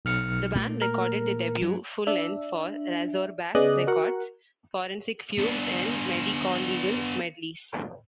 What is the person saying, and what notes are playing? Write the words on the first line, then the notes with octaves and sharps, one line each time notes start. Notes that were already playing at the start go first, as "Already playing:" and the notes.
The band recorded their debut full-length for Razorback Records, "Forensic Fugues and Medicolegal Medleys".
B1 F6 C#7
A#2 A3 A#3
A#4
G2 F#3
D4 E5
C#3 B3 G#4 D5 D#5 F#6
F#4 A#4 F#5
B3 D4